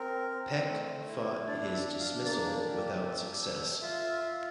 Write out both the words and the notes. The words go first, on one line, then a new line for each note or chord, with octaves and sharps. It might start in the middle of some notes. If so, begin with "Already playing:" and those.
Peck fought his dismissal without success.
Already playing: C4 A#4
C4
A3
E4
D4 D5
E5
D4
F5
A#3 D5
G4
A4
A4
F4 E5
F4